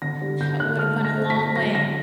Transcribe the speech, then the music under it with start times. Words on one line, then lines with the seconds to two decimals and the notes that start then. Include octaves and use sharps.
That would've went a long way.
0.02 D3 A#6
0.21 G3
0.40 D3 G6
0.60 D3 F#6
0.78 A3 F6
0.98 A3
1.05 A#6
1.17 C4
1.30 B6
1.37 A3
1.56 F#3 A#6
1.75 D3 A#6